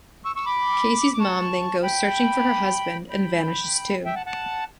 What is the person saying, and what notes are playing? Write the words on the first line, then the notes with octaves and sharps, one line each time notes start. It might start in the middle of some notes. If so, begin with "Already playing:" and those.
Casey's mom then goes searching for her husband and vanishes, too.
C#6 E6
C#6 E6
B5 D6
D6
A5 C#6
G5 B5
G5 B5
E5 G5
F#5 A5
F#5 A5